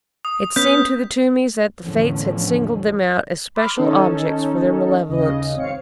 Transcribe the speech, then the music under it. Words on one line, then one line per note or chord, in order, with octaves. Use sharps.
It seemed to the Toomeys that the Fates had singled them out as special objects for their malevolence.
D#6
B3 C#4 B4 G6 B6
E2 A2 D3 F3 C#4
B5 C6 D6 E6 F6
D#3 C#4 D#4 A4
D#2 C#3 D#5
G#1 C4 C#5 F5 C#7